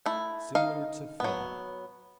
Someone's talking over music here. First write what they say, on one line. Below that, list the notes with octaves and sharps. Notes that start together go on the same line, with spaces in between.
Similar to Feta.
A3 E4
D#4 F5
F#3 B3